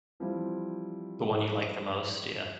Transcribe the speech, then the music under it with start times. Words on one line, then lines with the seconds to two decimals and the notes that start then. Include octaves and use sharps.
The one you like the most, yeah.
0.20 E3 F3 G3 C4 E4